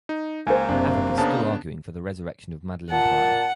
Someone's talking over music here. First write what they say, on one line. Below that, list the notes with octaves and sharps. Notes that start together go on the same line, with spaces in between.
Havok is still arguing for the resurrection of Madelyne Pryor.
D#4
C#2 A#3 C5 G#5
F#1 C3 D4
C#3 B3 D4 A5
A#2 F#5 A5